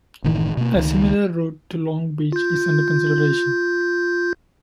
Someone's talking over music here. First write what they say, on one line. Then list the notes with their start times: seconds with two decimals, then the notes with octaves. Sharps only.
A similar route to Long Beach is under consideration.
0.24 F#1 A2 D#3 E3
0.57 B2 A#3
0.75 C#2 D#3
2.32 F4 G6